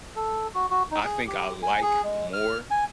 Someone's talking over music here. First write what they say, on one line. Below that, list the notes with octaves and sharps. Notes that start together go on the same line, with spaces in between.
I think I like more
A4
F#4
F#4
D#4
G#4
G4
G#5
G#4
G#3
F6
G#5